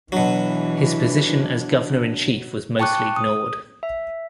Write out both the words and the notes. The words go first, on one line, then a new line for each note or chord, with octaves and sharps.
His position as Governor-in-chief was mostly ignored.
B2 E3 F#3 D4
G5 A5 C#6 D6 F#6
D#6
E5